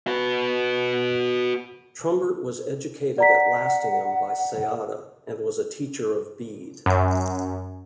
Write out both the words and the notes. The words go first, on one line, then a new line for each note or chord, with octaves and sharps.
Trumbert was educated at Lastingham by Ceadda, and was a teacher of Bede.
F#4 B4
D5 F#5 A#5 B6
F#2